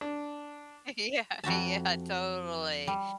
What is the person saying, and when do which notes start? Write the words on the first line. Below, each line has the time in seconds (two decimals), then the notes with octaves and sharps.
Yeah, yeah, totally.
0.01 D4
1.44 F2 F#4 E5 A5
2.87 G3